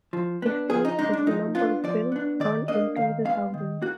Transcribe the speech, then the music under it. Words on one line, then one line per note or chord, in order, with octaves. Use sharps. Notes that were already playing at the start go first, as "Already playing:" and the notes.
Estimates of the number of bills run into the thousands.
F3
B3 D4
F3 G#4
D#4
G#3 D4 D#4
D4
F3 D#4
B3 D4 F4
F3 D5
B3 D4
D#3 D5
A#3 D4 D#5
D#3 F5
G#3 B3 F5
D#3
A#3 F#4